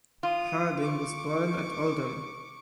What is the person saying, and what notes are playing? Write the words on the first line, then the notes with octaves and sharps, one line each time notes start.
Harding was born at Oldham.
F4 D#6
C#6 D6